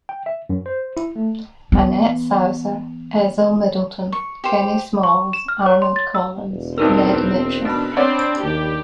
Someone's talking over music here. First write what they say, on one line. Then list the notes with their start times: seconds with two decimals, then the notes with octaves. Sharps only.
Annette Sausser, Ezell Middleton, Kenny Smalls, Arnold Collins, Ned Mitchell.
0.09 G5
0.26 E5
0.49 F#2
0.66 C5
0.97 E4
1.16 A3
1.72 E3 B3
4.12 C#6
4.44 G4 C5
5.03 C#6
5.33 E7
5.48 F6
5.66 C#5
5.82 C6
5.96 A6
6.15 E6
6.48 E1
6.78 D2 G2 C4 D#4 A#4 E6
7.13 B3
7.65 B2 D4 A5 B5
7.97 C4 C#5 D5 F#5
8.43 D#2 G4